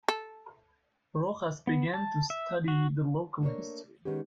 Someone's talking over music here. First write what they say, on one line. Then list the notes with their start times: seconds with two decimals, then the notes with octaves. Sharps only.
Rojas began to study the local history.
0.08 A4
1.67 B3
1.94 A5
2.30 E5
2.68 F#4
3.42 A3 A#3 D4 A#4 C#5
4.05 D#3 G#3 B3 C#4 G4